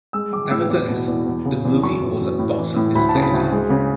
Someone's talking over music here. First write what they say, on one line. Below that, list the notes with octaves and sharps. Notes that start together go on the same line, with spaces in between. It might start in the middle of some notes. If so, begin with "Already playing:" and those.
Nevertheless, the movie was a box office failure.
G#3 E6
G#3 D6
A2 E6
E2 D6
B2
E2
E2
C#3
E2
F#2 C#6
E3
F#2
A2
E3
A2
D2 B5
A5
C#3
B5
D2
G#3
C#3